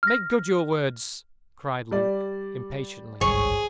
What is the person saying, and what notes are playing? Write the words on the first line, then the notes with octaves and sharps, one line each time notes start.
"Make good your words," cried Luke, impatiently.
F6 A#6
G3 D5
G#1 C#2 G2 G#4 C#5